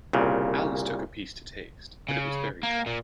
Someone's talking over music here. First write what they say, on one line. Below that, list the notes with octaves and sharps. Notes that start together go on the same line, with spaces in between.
Alice took a piece to taste, but it was very dry.
C2 A#2 C#3
C#3
A#3
A#2